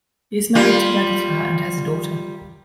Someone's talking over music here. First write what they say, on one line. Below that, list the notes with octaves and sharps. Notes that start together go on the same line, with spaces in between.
He is married to Radhika and has a daughter.
G3 F4